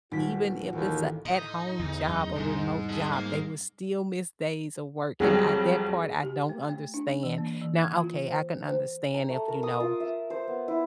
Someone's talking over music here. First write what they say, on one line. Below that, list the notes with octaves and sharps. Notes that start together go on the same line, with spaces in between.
even if it's a at home job or remote job, they will still miss days of work, and at that part, I don't understand. Now, okay, I can understand if, you know,
D#1 D#3 F4 F#4 G5 B6
A1 D#2
A2 D#4
E2 D3
F#2
G#2 C3 G3
A4 D#5
A#3
F2 F#3 G3 G#4
G4
A3
A3
D4
E3
A#3
E3
G#6
F4
C5
C5
A#5
A3
A#4
D#6
F4
E5
C5
B3
E4